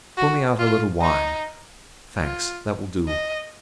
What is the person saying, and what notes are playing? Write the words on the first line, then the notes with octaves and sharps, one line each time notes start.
Pour me out a little wine; thanks, that will do.
F#4
F4
D#4
F4
D#5